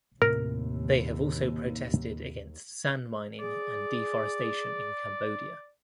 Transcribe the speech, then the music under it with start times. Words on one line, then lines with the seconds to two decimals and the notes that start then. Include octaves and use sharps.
They have also protested against sand mining and deforestation in Cambodia.
0.22 D#2 A2 C3 A#4
3.39 G#4 D5